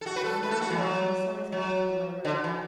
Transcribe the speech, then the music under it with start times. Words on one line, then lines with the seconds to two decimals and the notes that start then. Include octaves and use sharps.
My man's out, and the sun is hot upon my room.
0.01 A4
0.06 F#4
0.16 B4
0.24 A4
0.43 B4
0.51 A4
0.61 F#4
0.70 E3
0.79 F#3
1.52 F#3
2.25 D3
2.44 E3